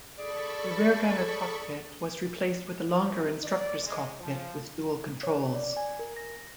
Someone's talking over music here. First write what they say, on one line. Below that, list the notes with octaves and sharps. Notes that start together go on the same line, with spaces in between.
The rear gunner' cockpit was replaced with a longer instructor's cockpit with dual controls.
G#4 A4 D5 B5 C#6
C3
D5
G#3
F3
C#5
D5
G#5
A#4
A#6